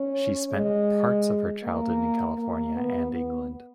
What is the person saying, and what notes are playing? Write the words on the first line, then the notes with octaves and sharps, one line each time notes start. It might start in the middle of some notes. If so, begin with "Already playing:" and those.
She spent parts of her childhood in California and England.
Already playing: C#4
G#3
A#3
A#3
B3
B3